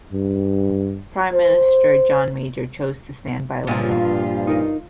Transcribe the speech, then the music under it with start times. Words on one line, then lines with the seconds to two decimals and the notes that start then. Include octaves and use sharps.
Prime Minister John Major chose to stand by Lyell.
0.13 G2
1.34 C5
3.67 G2 A#2 F3 F4
4.47 D#4 A#4 D#5